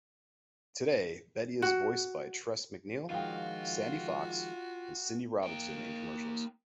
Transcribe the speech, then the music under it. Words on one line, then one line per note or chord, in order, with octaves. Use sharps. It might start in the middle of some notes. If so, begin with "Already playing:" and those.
Today, Betty is voiced by Tress MacNeille, Sandy Fox and Cindy Robinson in commercials.
F#4
D#3 F3 G#3 F4 F#4 F5 G5
A#3 G5